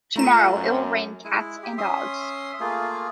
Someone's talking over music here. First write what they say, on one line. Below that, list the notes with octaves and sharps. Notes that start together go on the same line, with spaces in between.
Tomorrow, it will rain cats and dogs.
A3 F4 A#5 E7
F#2
G#3 E4
G4
C#4 E5 C6 D#6
A3 A#3 F4 G#4